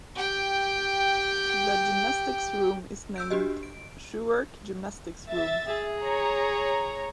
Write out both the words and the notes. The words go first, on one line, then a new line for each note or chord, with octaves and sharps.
The gymnastics room is named Shuhwerk Gymnastics Room.
G4 G5
E6 G6 D7
D4 F#4 G4 D#5
D7
E5 A6
G#4
C#5 A#5